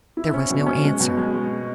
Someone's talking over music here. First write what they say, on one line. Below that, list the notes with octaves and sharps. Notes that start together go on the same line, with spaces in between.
There was no answer.
E4
C#4
B2
C#4
G#3
B2
G#3
G#3